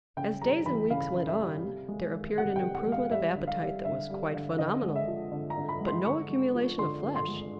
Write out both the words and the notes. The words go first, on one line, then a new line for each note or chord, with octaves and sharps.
As days and weeks went on, there appeared an improvement of appetite that was quite phenomenal, but no accumulation of flesh.
C#3 G5
G3 A#5
E3 B5
C#3 F5
C#3
E5
G3
C3
G#3
D#3
C3 F#5
G5
C3
F#5
G#3
F5
G3 E5
D3
F5
G3
D3 E5
G3
D3
D3 D#5
G#3
E5
F3
D3
A#5
D3
B5
G#3
C6
D3 C#6
G#3
F3
D3 C6
D3
C6
G#3